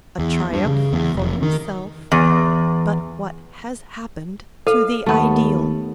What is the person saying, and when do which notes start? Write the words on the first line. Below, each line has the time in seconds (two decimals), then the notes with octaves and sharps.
A triumph for himself, but what has happened to the ideal?
0.19 E2
0.53 G2
0.67 C#3
0.93 E2
1.16 F1
1.42 D#3
2.12 E2
4.67 A4 F5
5.06 D#2 A3 B3